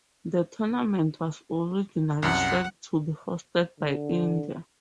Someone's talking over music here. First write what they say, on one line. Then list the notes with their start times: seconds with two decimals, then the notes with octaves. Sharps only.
The tournament was originally set to be hosted by India.
2.23 C2 F#2 F#5
3.80 D3